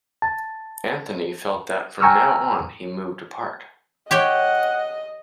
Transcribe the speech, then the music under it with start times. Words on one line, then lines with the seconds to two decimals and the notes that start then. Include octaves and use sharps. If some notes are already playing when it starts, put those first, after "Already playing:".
Anthony felt that from now on he moved apart.
0.22 A5
2.01 G5 G#5 A#5 C#6 E6 F6
4.11 G4 C#5 D#5 F#5 G5